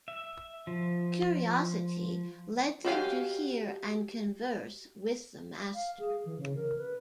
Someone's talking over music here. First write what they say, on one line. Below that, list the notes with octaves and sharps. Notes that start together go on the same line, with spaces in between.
Curiosity led them to hear and converse with the master.
E5
F3
F#4 G4 F5 G#5
F5
G#4
E3
C#3
A#4
B4